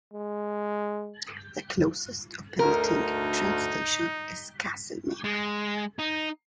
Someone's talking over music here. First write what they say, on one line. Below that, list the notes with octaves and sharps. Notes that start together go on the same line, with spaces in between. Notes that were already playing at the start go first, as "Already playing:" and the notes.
The closest operating train station is Castlemaine.
G#3
D2 D#4 A#4
G#3
D#4